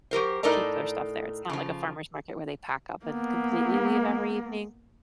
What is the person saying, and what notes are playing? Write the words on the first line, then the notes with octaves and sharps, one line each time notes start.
keep their stuff there. It's not like a farmer's market where they pack up and completely leave every evening,
F#3 G4 A#4 C5
A2 D#4 A4 A#4 D5 A#5
C#3 F3
A#3 B3